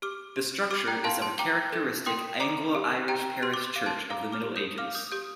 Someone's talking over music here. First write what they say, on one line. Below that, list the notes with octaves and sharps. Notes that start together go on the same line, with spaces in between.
The structure is of a characteristic Anglo-Irish parish church of the Middle Ages.
G4 D6 F6
G4
G4 D6 F6
G5 A#5
F5 A5 C6
A5 C6
G5 A#5 D6
A4
G5 C6 D#6
D5 A#5 D6
G4
G4 G5 A#5
G4 C6
D6
C6
F5 D6
A5 C6
F5 A#5 D6
D6 F6
G4
D#6 G6
F5 D6 F6
D#6 G6
G4 D#6 G6